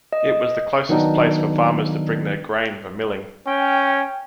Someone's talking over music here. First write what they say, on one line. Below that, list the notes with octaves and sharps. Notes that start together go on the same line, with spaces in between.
It was the closest place for farmers to bring their grain for milling.
D#5
D#3 F#3 B3 D4 D#4
C#4 G5